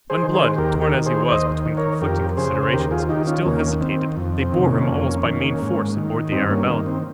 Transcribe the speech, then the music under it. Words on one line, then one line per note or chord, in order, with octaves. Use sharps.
When Blood, torn as he was between conflicting considerations, still hesitated, they bore him almost by main force aboard the Arabella.
G#4 C5
D#3
G#4 C5
D#2 G4 A#4
G4 A#4
D#3
G#4 C5
D#2 C5 D#5
D#3
A#4 C#5
F2 G4 A#4
C#3 G#4 C5
C5
D#2 G4 A#4
F4 G#4
D#3 D#4 G4
C#4 F4
D#2 A#3 C#4
D#3 C4
F2
C4
C3 D#3
A#3 C#4
F2
D#3
G#2
D#3
G2 C4 D#4
A#3 C#4
D#3 A#3
C4